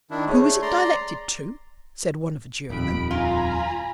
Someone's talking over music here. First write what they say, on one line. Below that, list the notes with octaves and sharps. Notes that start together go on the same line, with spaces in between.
'Who is it directed to?' said one of the jurymen.
D#3 D4 E4
A3 D4 G#4 C#5
D5 A#5 C6
D#1 F2 B5 D7
F4 G#5 A#5 B5